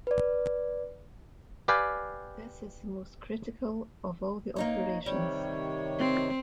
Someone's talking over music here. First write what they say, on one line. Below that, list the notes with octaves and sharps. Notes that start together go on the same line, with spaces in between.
This is the most critical of all the operations.
B4 D5
G4 B4 D5 F5 G5 G#5
A#3 D#4 C#5
C3 D#3 G3 C#5
C4